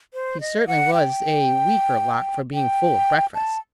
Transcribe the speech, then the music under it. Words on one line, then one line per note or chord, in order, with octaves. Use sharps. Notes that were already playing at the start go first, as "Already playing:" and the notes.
He certainly was a weaker lock for being full of breakfast.
C5
D#5
F#5
G5
G5
A5